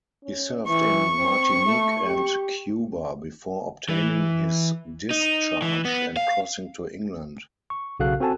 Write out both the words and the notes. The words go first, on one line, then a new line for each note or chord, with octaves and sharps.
He served in Martinique and Cuba, before obtaining his discharge and crossing to England.
C#4
E3 C#6
C4
A3
G4
E3
D#4
E3
B3
F5
C#6
B1 C#3 F#4 A4 F5 F#6
C4 F#4 A4 G#5 A5